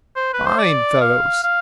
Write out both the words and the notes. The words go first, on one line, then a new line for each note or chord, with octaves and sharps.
Fine fellows!'
C5
B4
C5
D5
F5
F5